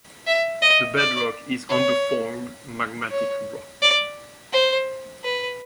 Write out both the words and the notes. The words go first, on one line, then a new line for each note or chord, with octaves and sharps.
The bedrock is undeformed magmatic rock.
E5
D#5
D5
C#5
C#5
D5
C5
B4